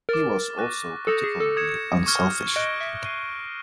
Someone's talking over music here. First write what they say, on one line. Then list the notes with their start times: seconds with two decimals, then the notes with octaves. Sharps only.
He was also particularly unselfish.
0.09 A#4 D6 F6 A6
0.58 C#6 F#6 A#6 D#7
1.07 A4 D#6 G6 A#6 C#7 E7
1.24 G#4
1.40 A4
1.57 D#6 G#6 C#7 E7
2.06 C#6 F6 G#6
2.56 D#5 F#6 A#6 D7 G7
2.81 E5
3.05 G#6 C7 D#7 G7